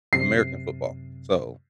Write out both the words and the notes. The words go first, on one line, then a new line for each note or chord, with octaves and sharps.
American football, so
F#2 C3 C7